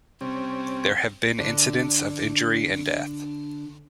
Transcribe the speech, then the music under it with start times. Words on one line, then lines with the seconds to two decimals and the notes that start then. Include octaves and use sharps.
There have been incidents of injury and death.
0.21 C3 G3 C4 C#4
1.40 D3 D4